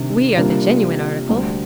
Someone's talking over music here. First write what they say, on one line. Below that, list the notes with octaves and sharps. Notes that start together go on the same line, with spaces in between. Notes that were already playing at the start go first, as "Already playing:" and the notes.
"We are the genuine article."
Already playing: C3 D#3 G3 D4
C3 G3 A#3 D4 F4
D2 D3 G3